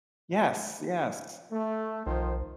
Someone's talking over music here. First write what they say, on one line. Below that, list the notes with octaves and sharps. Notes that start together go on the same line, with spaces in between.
Yes, yes.
A3
B1 D#3 F3 C5